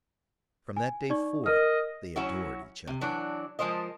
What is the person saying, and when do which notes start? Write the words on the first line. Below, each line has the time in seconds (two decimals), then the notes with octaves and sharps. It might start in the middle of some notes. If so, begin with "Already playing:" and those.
From that day forth, they adored each other.
0.77 G#5
1.10 D#4 D5 C#6
1.46 A#4 D#5 F6
2.16 F#3 C#4 E4 F#4
2.87 C3
3.01 E3 F#3 D4
3.59 F3 G#3 A#4 C5 D#5